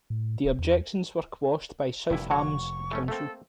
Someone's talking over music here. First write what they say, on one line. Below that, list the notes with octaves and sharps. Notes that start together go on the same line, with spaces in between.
The objections were quashed by South Hams council.
A2
D1
E2
F1 G2 A#2 E4
A#3 F#4 C#5 C#6
E3 A3 C#4
A3 A#3 C4 A4